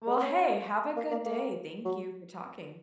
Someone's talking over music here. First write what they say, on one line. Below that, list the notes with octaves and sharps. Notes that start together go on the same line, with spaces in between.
Well, hey, have a good day, thank you for talking.
G#3
C#4
A#3
A#3
A#3
F#3